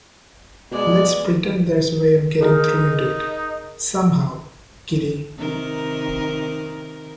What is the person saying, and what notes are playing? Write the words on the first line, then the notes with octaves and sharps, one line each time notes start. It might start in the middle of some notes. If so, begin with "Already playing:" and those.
Let’s pretend there’s a way of getting through into it, somehow, Kitty.
B2 G#3 D5
D#4 G#4 A#4
C3 D#3 A#4